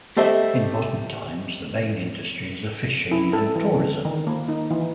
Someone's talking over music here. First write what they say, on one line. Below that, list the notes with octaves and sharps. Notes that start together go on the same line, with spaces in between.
In modern times, the main industries are fishing and tourism.
G3 A3 C5 D#5 E5
E4
A4
E3
D3
D#3
A#3
D#4
E3